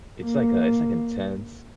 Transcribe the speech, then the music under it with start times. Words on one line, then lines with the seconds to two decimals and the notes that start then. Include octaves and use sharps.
it's, like, a it's like intense,
0.22 A#3